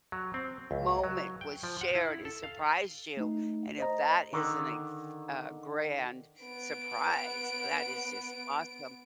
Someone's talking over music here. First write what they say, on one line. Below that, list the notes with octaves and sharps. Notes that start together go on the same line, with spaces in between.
moment was shared and surprised you and if that isn't a f a grand surprise; that is just awesome.
F#3
C4
C#2
F#3
G5
F3
F#5
E4
A4
F5
A3 D#4
C5 D#5 A#5
D3 D#3
B3 D7